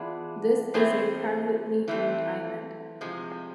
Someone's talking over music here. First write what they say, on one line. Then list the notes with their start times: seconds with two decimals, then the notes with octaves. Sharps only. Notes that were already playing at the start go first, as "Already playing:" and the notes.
This is a privately owned island.
Already playing: E3 B3 D4 F4 G#4
0.74 E3 A3 C4 G#4 C5
1.88 E3 A3 C4
3.01 C3 F3 G#3